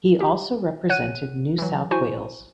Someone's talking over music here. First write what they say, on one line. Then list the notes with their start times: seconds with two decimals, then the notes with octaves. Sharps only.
He also represented New South Wales.
0.20 G4
0.89 C#5 F#5 F#6 D#7
1.58 E3 F#3
1.91 E4 F#4 C5 G#5 C#6